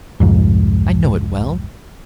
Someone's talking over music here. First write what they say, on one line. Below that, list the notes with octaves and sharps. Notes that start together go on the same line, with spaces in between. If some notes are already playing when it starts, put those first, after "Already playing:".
I know it well.
C2 F2 G#2